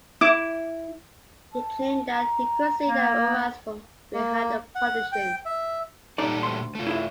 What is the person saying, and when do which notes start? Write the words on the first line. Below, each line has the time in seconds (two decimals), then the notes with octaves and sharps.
He claimed that he could see their auras from behind the partition.
0.21 E4 D6
1.53 A5
2.09 A#5
2.88 A#3
4.14 A#3
4.75 F#5
5.12 G5
5.45 E5
6.18 A#2 G3 D#4 A4 D5
6.43 D2 C6
6.75 A3 F4
6.87 E4 G#4 E5